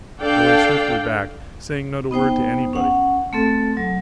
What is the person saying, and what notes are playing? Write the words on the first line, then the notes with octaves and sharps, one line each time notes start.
I went swiftly back, saying not a word to anybody.
D4 A4 D5 F5 G5
B3 D#4 C5 G5
C#4 F#5
A3 C4 A4
F#3